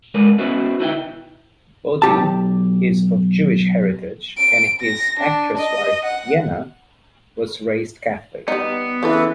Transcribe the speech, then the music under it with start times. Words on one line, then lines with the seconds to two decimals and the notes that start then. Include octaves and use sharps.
Bodhi is of Jewish heritage and his actress wife Jenna, was raised Catholic.
0.14 F2 G#3 A#4 B4 D5
0.38 B3 C#4 E4 F#4 B4 C5
0.80 D#4 E4 B4 E5 F#5 G5
2.02 B1 G4 A5
4.38 D7
4.81 A#6
5.20 D4
5.58 D#5
6.05 F#5
8.48 G3 B3 D#4
9.03 C#3 E3 A4 B4